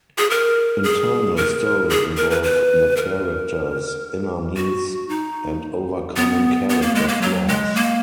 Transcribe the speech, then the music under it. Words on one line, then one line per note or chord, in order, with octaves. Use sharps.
Internal stories involve the character's inner needs and overcoming character flaws.
G#4
A#4
G#4
A#4
G#4
A#4
B4
B4
A#4
F#4
D#4
B3
B3
A#3
G#3
A#3
F#3
G#3
A#3